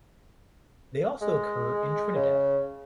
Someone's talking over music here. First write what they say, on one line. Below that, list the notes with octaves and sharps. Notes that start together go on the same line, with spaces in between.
They also occur in Trinidad.
G#3
C#3